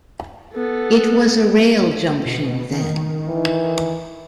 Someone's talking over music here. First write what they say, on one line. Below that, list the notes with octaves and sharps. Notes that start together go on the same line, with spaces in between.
It was a rail junction then.
B3 A4
B2
D#3
E3